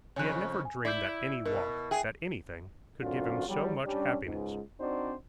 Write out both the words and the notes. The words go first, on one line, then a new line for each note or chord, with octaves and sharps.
He had never dreamed that any walk--that anything--could give him so much happiness.
F2 C#3 C#5 G#5 F#6
G#5
E4 D5 D6 G6
B2 A#4
G#4 E5 G5 G#5
F#2 D3 C4 D4 F4 F#4
E2 F#3 G3
G3 C#4 D4
C#2 G#2
C4 D4 D#4 F#4 C5 D5